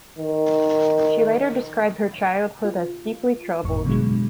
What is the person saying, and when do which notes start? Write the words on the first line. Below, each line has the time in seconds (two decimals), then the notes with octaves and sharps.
She later described her childhood as deeply troubled.
0.18 D#3
2.64 F4
3.64 G1 F2 A2 C#6
3.85 B2 D3 F#3 G#3